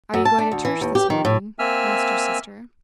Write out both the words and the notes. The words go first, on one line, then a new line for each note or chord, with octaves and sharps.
'Are you going to church this morning?' asked her sister.
F#2
A5
D4
D2
E3
D#2
G4
D#3
A2
A#3 C4 E5 G#5 E6 F6